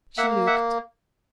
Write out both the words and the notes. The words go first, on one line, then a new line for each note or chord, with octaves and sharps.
She looked.
A#3 E5 F#5
E5 F#5